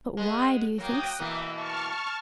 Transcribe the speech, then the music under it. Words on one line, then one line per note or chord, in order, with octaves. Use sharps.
But why do you think so?
G#3 B3
F#3 A#3 G5 D#6
B2 E3 A#3 E5
A5 C#6 F6